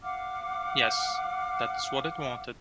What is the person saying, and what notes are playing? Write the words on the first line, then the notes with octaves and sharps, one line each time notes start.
Yes, that's what it wanted.
F5 F#5 D6 F6